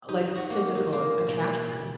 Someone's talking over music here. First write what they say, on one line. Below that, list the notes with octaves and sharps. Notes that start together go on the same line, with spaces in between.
like, a physical attraction.
D#4
F#4
A#3
D#4
A#3
B2